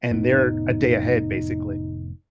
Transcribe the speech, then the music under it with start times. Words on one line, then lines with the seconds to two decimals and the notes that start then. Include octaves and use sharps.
and they're a day ahead, basically,
0.11 F1 A2 B3 D#4